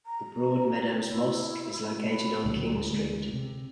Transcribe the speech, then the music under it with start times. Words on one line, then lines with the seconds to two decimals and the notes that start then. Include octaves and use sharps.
The Broadmeadows Mosque is located on King Street.
0.06 A#5
1.07 E4
2.11 B5
2.45 C#2 A#2 D3 F#3
2.79 D2 G#3
3.33 C3